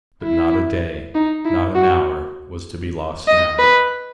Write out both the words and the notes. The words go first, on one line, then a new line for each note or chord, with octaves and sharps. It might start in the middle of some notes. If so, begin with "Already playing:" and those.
But not a day, not an hour, was to be lost now.
E4
D#4
E4
F#4
D#5
B4